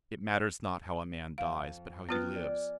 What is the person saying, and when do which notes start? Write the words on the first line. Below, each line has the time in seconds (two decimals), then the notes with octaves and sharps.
It matters not how a man dies, but how he lives.
1.38 F2 F5
2.09 B3 F4 B4 G5 F6 F#6
2.36 D5 G#5